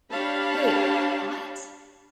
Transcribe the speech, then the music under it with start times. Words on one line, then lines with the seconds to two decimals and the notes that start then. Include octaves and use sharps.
Wait. What?
0.12 D4 G4 C#5 F5 A5 B5